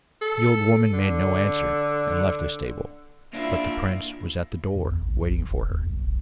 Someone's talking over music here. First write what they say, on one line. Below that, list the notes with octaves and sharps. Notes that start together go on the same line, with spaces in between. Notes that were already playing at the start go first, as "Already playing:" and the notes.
The old woman made no answer, and left the stable, but the prince was at the door waiting for her.
A4
D3
A#3 D4 E4 F4 E5
E2
G#1
B1
F#1
E1
D#2
B1
E1